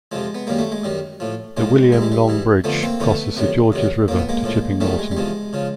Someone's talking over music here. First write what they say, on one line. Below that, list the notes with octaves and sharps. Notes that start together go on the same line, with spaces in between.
The William Long Bridge crosses the Georges River to Chipping Norton.
F2 C3 F3 G#3
B3
F#2 D#3 G3 A#3
A3
G#3
F#2 D#3 G3
A2 F3
A2 F3 G#3
G#2 E3 G3
G#3
G3
G#2 E3 G3
F2 D3 F3 A3 B3
A#3 C4
F2 D3 F3 A3 B3
F2 C3 D#3 F#3
F2 C3 D#3 F#3
A2 F3 A#3
B3
G#3 A#3
A2 F3
E2 C3 F3 G3 A3
G#3
G3
E2 C3 F3 G#3
C#3 F3